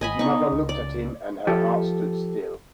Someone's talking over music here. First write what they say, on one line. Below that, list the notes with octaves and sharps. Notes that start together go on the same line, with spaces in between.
His mother looked at him, and her heart stood still.
G#1 D#5 G#5 B5
B3 D#4 C#6
C#2
D5
F3 G4 A4